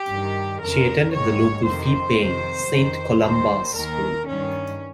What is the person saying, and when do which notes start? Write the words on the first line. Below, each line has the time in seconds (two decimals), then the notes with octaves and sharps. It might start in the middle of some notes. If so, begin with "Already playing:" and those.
She attended the local fee paying Saint Columba's School.
Already playing: G4
0.08 G2 D#3
0.61 F2 C#3 A#4
1.13 G#2 D#3 C#5
1.66 F2 C3 D#3 C5
2.18 F2 C3 D#3
2.70 F2 D#3
3.23 D#2 D#3 C5
3.75 D#2 D#3 A#4
4.28 G2 D#3 C#4